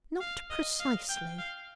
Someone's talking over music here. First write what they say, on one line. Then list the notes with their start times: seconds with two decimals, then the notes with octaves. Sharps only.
Not precisely.
0.20 F5
0.50 D#5
0.80 F5
1.09 G5
1.38 F5